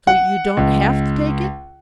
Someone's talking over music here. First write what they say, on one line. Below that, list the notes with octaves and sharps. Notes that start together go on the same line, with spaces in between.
So you don't have to take it.
F#5
C#2